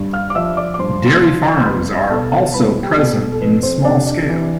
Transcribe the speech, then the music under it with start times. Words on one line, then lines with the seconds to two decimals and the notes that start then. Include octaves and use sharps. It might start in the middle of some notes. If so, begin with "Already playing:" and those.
Dairy farms are also present in small scale.
Already playing: G2
0.13 F5 F6
0.30 D6
0.35 F3 E5 E6
0.57 D5 D6
0.74 D6
0.79 G2 C5 C6
1.22 F3
1.61 C6
1.66 C2 B4 B5
2.10 B2 A4 A5
2.54 C2 B4 B5
2.83 G4 G5
2.98 B2
3.12 A4
3.32 A4
3.41 F2 B4
3.63 C4 C5
3.84 C3 D4 D5
4.06 D4 D5
4.29 E3